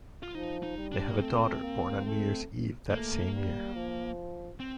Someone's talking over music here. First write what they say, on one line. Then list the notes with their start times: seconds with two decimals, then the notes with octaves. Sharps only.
They have a daughter, born on New Year's Eve that same year.
0.23 F4
0.35 F3 D#4
0.63 D#4
0.77 G3
0.92 D4
1.08 A#3
1.19 A3 C4
1.62 A#3
2.05 A3
2.90 A3 A#3
3.33 G3
3.75 F3
4.60 C4